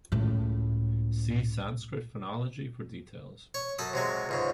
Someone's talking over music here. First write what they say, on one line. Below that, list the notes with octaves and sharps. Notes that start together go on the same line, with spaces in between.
See Sanskrit Phonology for details.
C#2 A2
C#5
F#2 A4 B5 D#6
C3 F#3 G#3
C#2 G#2 C#3